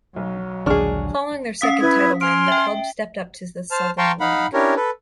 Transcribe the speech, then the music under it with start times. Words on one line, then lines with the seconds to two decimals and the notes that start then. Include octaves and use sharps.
Following their second title win, the club stepped up to the Southern League.
0.16 B1 F#3
0.66 A#1 D#2 D3 G#3 D4 G#4 C#6 F6
1.61 C#4 F5 D#6 B6
1.81 E4 B4 G#6
2.21 G#5 C6 F6 D7
2.48 E5 G5
3.71 C5 A5 F6
3.98 F5 G5 A5 A#5 C6 C#6
4.20 D#4 F5 F#5 B5
4.53 C#4 D4 E4 G4 A#4 C#5
4.76 A4 B4